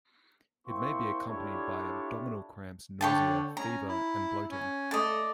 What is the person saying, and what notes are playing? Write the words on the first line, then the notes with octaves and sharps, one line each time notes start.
It may be accompanied by abdominal cramps, nausea, fever, and bloating.
A#3 C4 E4 C6 C#6
D4 E4 F4 G4 A4 C#5
D3 C#5 G5 A5
C#4 A#5
E4
C#4
A3 D5 D#5